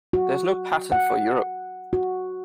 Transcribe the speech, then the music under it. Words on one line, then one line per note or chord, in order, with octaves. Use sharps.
There is no patent for Europe.
F#4
F#5
F#4